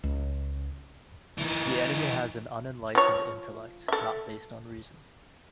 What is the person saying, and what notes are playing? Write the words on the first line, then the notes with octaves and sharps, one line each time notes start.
The enemy has an unenlightened intellect, not based on reason.
C#2
E3 D#4
F3 C#5
A4 E5